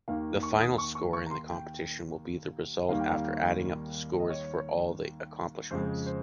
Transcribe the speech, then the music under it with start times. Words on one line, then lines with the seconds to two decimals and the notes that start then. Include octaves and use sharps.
The final score of the competition will be the result after adding up the score for all the accomplishments.
0.08 D#2 D#3 A#3 F5
0.43 C#6
0.61 D#6
0.78 C#6
0.95 C#6
1.13 C#6
1.26 A#5
1.31 C6
1.49 G5
2.89 D#2 D#3 G3 A#3 F5
3.00 G5
3.11 F5
4.19 D#5
4.30 C#5
5.71 F2 C#3 G#3 C5
6.06 C5